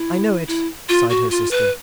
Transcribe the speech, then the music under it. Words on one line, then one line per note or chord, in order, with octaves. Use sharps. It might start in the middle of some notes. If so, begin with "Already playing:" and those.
"I know it," sighed her sister.
Already playing: E4
E4
F4
F#4
F4
B4